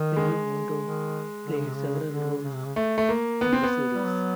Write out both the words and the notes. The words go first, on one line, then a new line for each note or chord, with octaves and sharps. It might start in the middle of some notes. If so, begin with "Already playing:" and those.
Peggy Mondo played several roles in the series.
Already playing: D#3
G#3
D#3
D3
C#3
C3
C#3
D3
C#3
C3
C#3
A3
A3
A#3
B3
C4
B3
G3
F#3